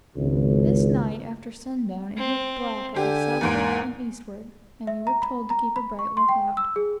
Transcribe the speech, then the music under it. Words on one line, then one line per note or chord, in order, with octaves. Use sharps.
This night, after sundown, it looked black at the southward and eastward, and we were told to keep a bright look-out.
G#1 C#2
C4
D3 G4 G#5
E2 G#2 A#3 D7
E5
A#5
B5
A#5
B5
C#6
C6
G5
E6
G#4